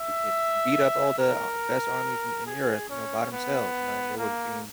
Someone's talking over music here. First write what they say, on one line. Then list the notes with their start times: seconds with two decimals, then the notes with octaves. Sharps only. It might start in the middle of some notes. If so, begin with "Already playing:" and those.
i en beat up all the best armies in in Europe, you know, by themselves, you know, and they were being,
Already playing: E5
1.19 A#4
2.46 G#4
2.89 C#4
3.32 B3
4.17 A#3